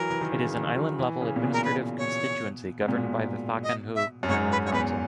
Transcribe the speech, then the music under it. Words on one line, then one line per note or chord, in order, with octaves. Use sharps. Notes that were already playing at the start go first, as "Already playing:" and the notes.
It is an island-level administrative constituency governed by the Thakandhoo Island Council.
Already playing: E3 F#3 A#4
E3
D#3
C#3
D#3
F#3
E3
C#3
A#2
B2
A#4
B4
C#5
G#2
A#2
B2
D#5
E5
F#2
G#2 C#5
F#2 B4
C#5
E2 B4